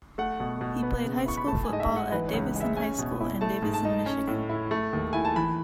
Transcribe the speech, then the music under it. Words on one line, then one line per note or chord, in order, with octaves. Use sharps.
He played high school football at Davison High School in Davison, Michigan.
A3 F#5
B2
B2
B3
C#3
E4 C#6
B5
A3 A5
G#5
G#2 D#5
E5
G#2
F#5
E3 B4
C#2 C#5
G#3 E5
C#4 G#5
B2
E4
A3 A5
G#2
A5
D#4
C#4
A2
E4
A3
D#2
E4 G#5
A5
E3 B5